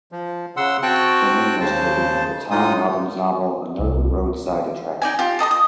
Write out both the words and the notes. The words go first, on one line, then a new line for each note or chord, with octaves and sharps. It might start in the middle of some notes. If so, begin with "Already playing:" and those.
The name was taken from the Tom Robbins novel "Another Roadside Attraction".
F3
C#3 F#5 C6 E6
C4 F#4 G5 A5 C#6 F#6
D#2 C#3 C5 A5
A2 G#3 D#4 F4 D#6
C2
D#4 D5 G#5
F4 G4
A4 D#5 A#5 D#6
D#6